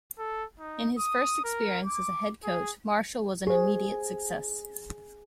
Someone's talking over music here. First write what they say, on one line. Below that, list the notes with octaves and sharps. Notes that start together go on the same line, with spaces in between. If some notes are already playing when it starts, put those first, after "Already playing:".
In his first experience as a head coach, Marshall was an immediate success.
A4
D#4
D#6
A#4
D6
G#4
G4 G#4 C5